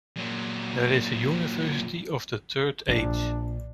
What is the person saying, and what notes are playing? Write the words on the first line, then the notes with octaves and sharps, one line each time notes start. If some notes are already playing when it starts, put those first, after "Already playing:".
There is a University of the Third Age.
A#2 F#3
A#1 D4 F4